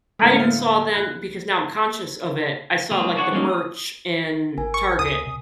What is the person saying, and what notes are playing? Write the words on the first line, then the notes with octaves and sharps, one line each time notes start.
I even saw then because now I'm conscious of it, I saw like the merch in Target.
A2 D3 G#3 A3
A#3 F5
B5 F#6
F#3 G#3 A#3 C4 G#4
D4 F#4 C#5 F#5
G3 G#3 A#3 C#4 D#4
D#6
G#1 A#4 G#5
C#6
D2 D#6
C3